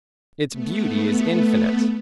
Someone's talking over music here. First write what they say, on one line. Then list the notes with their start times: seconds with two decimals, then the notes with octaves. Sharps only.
Its beauty is infinite.
0.50 A3 B3